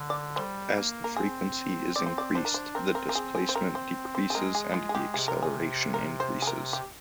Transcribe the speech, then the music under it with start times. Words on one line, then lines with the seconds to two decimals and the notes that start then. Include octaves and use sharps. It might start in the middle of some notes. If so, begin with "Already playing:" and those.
As the frequency is increased, the displacement decreases, and the acceleration increases.
Already playing: D3
0.10 D5
0.36 G3 C5
0.76 A#3
1.04 A#4
1.17 C4 G#4
1.96 C4 D5
2.06 C5
2.18 D5
2.35 D4 C5
2.45 A#4
2.54 C5
2.75 C4 A#4
2.95 A#4
3.09 A#4
3.15 G#4
3.35 G#4
3.49 C5
3.56 A#4
3.75 C5
4.15 C5
4.30 G#4
4.35 G#3 A#4
4.55 G#4
4.74 F4
4.89 G#4
4.95 G4
5.14 C3 G#4
5.28 A#4
5.43 G#4
5.94 A#4
6.20 C5
6.42 G#4
6.47 A#4
6.73 G4